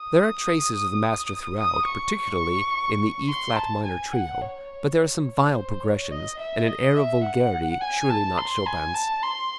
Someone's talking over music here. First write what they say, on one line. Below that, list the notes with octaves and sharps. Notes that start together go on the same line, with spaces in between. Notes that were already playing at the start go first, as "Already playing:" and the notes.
There are traces of the master throughout, particularly in the E flat minor Trio, but there are some vile progressions and an air of vulgarity surely not Chopin's.
Already playing: D#6
D#6
C#6
C6
A5
G#5
F#5
C#5
C#5
C5
C#5
D#5
E5
D#5
E5
F#5
G#5
A5
C6
G#5
A5
C6